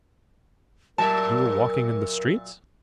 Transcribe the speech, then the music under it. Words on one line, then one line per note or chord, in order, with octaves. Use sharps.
"You were walking in the streets?"
A#2 F#3 A#4 D5 E5 A5